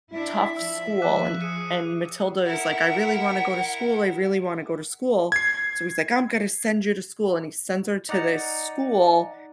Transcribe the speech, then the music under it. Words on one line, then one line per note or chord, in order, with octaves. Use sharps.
tough school, and and Matilda is like, "I really wanna go to school, I really wanna go to school," so he's like, "I'm gonna send you to school," and he sends her to this school
D4 E4 E5
F3 E6
D6 F#6
G#4 F#6 C#7 D#7
E4 A#4 F#5
G#6 C7
D#4 D5 F#5 A#5